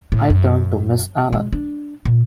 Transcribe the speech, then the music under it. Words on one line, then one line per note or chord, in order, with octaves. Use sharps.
I turned to Miss Allen.
A2
F#2
G#3
D4
A#2